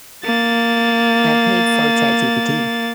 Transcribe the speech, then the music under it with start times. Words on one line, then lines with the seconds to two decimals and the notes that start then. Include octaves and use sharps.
I paid for ChatGPT
0.24 A#3 A6